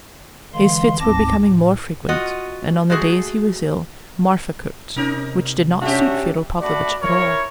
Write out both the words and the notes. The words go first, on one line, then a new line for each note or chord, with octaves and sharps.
His fits were becoming more frequent, and on the days he was ill Marfa cooked, which did not suit Fyodor Pavlovitch at all.
D3 E3 G#3 F5 C6
D2 G#2 C4 A5 D6 A#6
A2
F4 F#4 D#5
G#3 A3 F#4 G#4
C3 C#4 D#4 A#4
G3 C#4 D4 F#4 G4 E5
A3 D4 F#4 D5 B5
E4 A#4 C#5